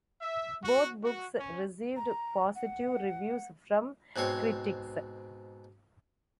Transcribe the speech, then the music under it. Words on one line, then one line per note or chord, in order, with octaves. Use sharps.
Both books received positive reviews from critics.
E5
F#4
F#4
C#4
A#5
F#5
G#2 B2 C4 C#5